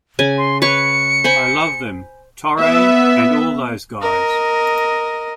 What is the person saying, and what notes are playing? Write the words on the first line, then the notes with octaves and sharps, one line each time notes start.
I love them, Torre and all those guys.
C#3 G#5
C6
B4 C#5 C#6 C#7
C5 G#5 B5
B3 E5
A#4 D#5